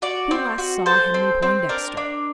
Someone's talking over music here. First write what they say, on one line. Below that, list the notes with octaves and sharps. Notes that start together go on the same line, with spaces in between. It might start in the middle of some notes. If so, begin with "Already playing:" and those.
Who last saw Henry Poindexter?
F#4 D5
C4
F#4
A4 C5
C4
C4
D4 A#4
D4